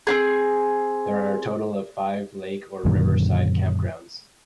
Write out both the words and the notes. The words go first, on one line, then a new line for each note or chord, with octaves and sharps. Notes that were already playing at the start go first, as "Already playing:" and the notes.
There are a total of five lake or river side campgrounds.
C4 C#4 G#4
F#2 A#2 D3 D#3